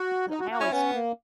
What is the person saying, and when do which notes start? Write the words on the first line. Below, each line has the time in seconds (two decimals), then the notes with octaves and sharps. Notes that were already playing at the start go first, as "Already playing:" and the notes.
because I always
Already playing: F#4
0.30 D#4
0.40 F#4
0.51 F#4
0.61 C#4 E4
0.72 B3 C#4
0.93 A#3